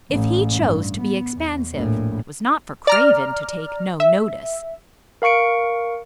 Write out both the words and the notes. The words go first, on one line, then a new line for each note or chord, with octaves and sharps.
If he chose to be expansive, it was not for Craven to take no notice.
A1 A2
G2
B3
E2
A#1 A2
D5 A#5 F6
E5
A#4 F5 C#6 C#7 D7